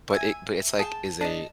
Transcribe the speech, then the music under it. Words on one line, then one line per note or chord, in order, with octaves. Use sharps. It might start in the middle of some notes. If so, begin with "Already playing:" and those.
But it but it's, like, is a
E5 G#5
G#4 G5 A5
D4 D#4 A5